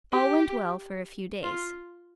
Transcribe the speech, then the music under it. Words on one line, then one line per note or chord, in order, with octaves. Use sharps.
All went well for a few days.
G4
F4